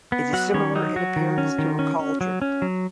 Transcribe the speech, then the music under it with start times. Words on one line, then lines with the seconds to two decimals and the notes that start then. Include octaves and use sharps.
It is similar in appearance to a cauldron.
0.12 B3
0.33 F#3 F#4 F#5
0.54 D#3 C#4 C#5
0.75 F#3 D#4
0.96 F#3 F#4
1.16 D#3
1.38 C#4
1.58 D#3
1.79 C#4
1.99 C#4
2.21 F#3
2.42 C#4
2.62 F#3